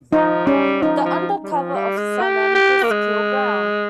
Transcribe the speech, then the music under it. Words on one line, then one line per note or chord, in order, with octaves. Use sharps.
The undercover officer manages to kill Brown.
F3 D#4
G3 C#4
F3 D#4
F3
G3
F3
G3
G#3
G4
G4
A#3
G#3